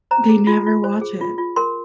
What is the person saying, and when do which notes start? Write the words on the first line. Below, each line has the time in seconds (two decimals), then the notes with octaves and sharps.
They never watch it.
0.11 C5 A#5
0.29 G#4
0.47 F4
0.66 F4
0.84 C5
1.01 G#4
1.21 F4
1.38 F4
1.56 A#4 C6